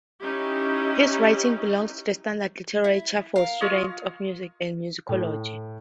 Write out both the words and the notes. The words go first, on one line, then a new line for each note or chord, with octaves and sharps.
His writings belong to the standard literature for students of music and musicology.
C#4 D#4 E4 G4
E4
A#4 F5
F4 C#5 D#5
A2